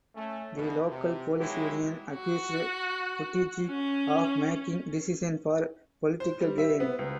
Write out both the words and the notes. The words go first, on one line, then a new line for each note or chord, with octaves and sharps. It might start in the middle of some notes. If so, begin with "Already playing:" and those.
The local police union accused Buttigieg of making decisions for political gain.
A3 C#4
B1 E2 B2
C3
F#3 G#3 D#4 E4 G4
F#4
C#4
C5
G3
E5
B3
C#2